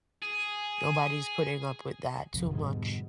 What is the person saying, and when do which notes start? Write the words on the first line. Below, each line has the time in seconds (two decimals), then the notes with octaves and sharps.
Nobody's putting up with that too much.
0.22 G#4
2.34 F2 C3 F3
2.51 G#2 B2 D3 G3